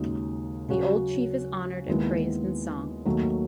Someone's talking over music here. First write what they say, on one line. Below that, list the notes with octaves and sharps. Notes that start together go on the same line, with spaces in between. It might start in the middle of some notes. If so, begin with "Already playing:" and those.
The old chief is honored and praised in song.
Already playing: D#2 C#3 G#3 D#4 F#4
C#3 F#3 C#4 F#4
D#2 D#3 G#3 B3 E4
D#2 D#3 F#3 A3